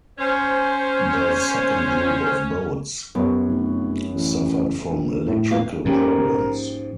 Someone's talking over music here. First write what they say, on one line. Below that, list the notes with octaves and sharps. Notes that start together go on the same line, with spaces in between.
The second group of boats suffered from electrical problems.
C#4 C5
F#2 B3 G4 C#5
F1
A1
A#1
A2
A#2 A#3 B4 F5
G#2 F3 A#3 C#4 G4 A#4